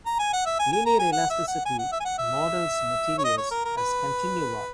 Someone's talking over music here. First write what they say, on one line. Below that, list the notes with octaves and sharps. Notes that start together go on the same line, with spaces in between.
Linear elasticity models materials as continua.
A#5
G#5
F#5
E5
G#5
G#5
A#5
G#5
F#5
E5
F#5
G#5
F#5
E5
G#5
F#5
E5
C#5
D#5
C#5
A#4
A#4
B4